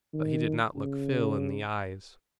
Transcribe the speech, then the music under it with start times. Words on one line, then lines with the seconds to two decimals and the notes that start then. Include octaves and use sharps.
But he did not look Phil in the eyes.
0.13 D#3
0.75 C#3